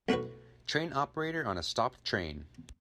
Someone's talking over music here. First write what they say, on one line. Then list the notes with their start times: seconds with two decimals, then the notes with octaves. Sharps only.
Train operator on a stopped train.
0.09 B1 A3 E4 F#4 B4